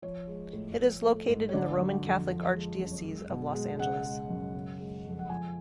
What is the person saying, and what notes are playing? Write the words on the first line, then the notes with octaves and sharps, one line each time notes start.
It is located in the Roman Catholic Archdiocese of Los Angeles.
F3 C#5
G#3
A2
F3
A3
G#2
C#5
D3 D5
F#3
F2
F3
G#3
F#2
G#3
B2
G#3
C#3 F#5
G#3
F#2
C#3
G#3
F2
F#5
F3 G#5